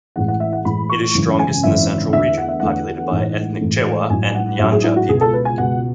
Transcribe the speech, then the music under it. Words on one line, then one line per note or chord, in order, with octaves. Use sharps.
It is strongest in the central region, populated by ethnic Chewa and Nyanja people.
A1 A2 E3 G#3 F#5
F#5
E5
F#5
A1 A2 E3 G#3 B5
C#6
G#1 F#2 C#3 E3
G#5
G#1 F#2 C#3 E3 E5
E2 D3 A3 E5
F#5
E5
E2 D3 A3 F#5
A1 G#2 E3 A3
A1 G#2 E3 A3
A1 G#2 F#3 G#5
F#5
A1 G#2 F#3 E5
G#4
E4
F#4
C#2 B2 G#3 G#4
A4
B4
G#5
C#2 B2 G#3 F#5